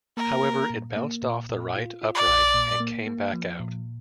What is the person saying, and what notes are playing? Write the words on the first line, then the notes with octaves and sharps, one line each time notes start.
However, it bounced off the right upright and came back out.
A#3 A#4
A#3
A#2
A#3
A#2
A#2
F4
F4
D5
A#1
A#2
A#3
A#3
F3
A#2